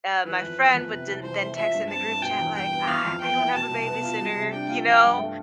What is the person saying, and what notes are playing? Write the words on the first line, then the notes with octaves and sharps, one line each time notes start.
uh, my friend would den then text in the group chat like, "Ah, I don't have a babysitter," you know,
E3 B4
F2
B3
F2
C3
C2
E3 C5
A3
F3 E5
G2
C4 A5
G2
B2 G5
E2
G3 G5
B3
E3 F5
F2
B3 G5
E4
B2 A5
C2
B3
F4
G3
C3
D4 G5
F4
F3 G5
G2
A3